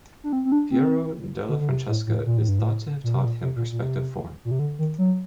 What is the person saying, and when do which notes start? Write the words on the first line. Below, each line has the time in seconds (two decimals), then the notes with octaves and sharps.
Piero della Francesca is thought to have taught him perspective form.
0.24 D4
0.33 C4
0.45 C4
0.52 D4
0.71 C4
1.49 D3
1.60 D3
1.69 C3
1.89 A2
2.07 A2
2.26 A#2
2.38 A2
2.48 G2
2.59 A2
3.04 A#2
3.15 C3
3.25 A#2
3.42 C3
3.56 A#2
3.72 A#2
3.82 C3
4.45 A#2
4.51 C3
4.59 D3
4.79 D#3
4.98 F#3